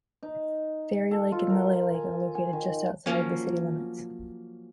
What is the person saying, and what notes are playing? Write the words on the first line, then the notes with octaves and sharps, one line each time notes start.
Fairy Lake and Lily Lake are located just outside of the city limits.
D#4
A4
F4
A#4
G#5
G#5
D#3
F3 F#3 A#3 C#4